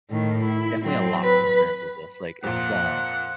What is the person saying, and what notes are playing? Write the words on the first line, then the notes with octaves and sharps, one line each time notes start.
definitely a lotta concerns with this, like, it's, uh,
A2 D#3
E4
F#3 C4
B4
F2 A#2 F#5